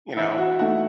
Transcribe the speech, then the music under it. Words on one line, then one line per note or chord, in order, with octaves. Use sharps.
You know?
E3 E4 E5
F#4 F#5
A3 D#4 F#4 F#5